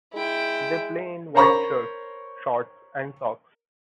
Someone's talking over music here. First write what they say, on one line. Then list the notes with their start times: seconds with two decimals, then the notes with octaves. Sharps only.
They play in white shirts, shorts and socks.
0.14 G#3 E4 G5
1.35 A#4 C5 C#5 A#5 B5 C#6